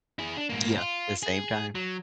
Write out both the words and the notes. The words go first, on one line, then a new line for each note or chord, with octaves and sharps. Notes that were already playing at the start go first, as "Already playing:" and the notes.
Yeah. The same time.
E4 G#4
D4
G#2 A#3
F4
G#4
F#3